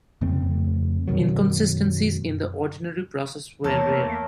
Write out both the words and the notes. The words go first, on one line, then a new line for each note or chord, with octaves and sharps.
Inconsistencies in the ordinary process were rare.
F2 C#3 A3 C4
F#2 B2 D#3 F#3
E2 A3 A#3 A4 A#4 C5 C#5